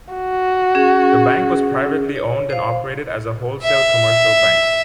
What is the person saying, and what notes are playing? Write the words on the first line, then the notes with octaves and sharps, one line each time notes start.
The bank was privately owned and operated as a wholesale commercial bank.
F#4
C#4 G#4
C#5
C5 F5
E5